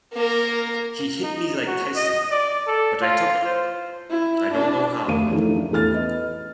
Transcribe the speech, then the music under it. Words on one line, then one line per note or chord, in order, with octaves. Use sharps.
He hit me like Tyson, but I took it - I don't know how.
A#3 A#4
D#4
F#4
D#5
D5
A4
F4
C5
E4
D4
F1 D2 A#4 F5 D#7
F2 E3 A3 D4 D#4
D4
A1 E2 E4 A4 F6 A6
B3 D#5